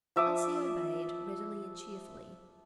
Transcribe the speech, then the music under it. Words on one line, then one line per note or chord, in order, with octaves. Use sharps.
Elsie obeyed, readily and cheerfully.
F3 E5 D6 D#6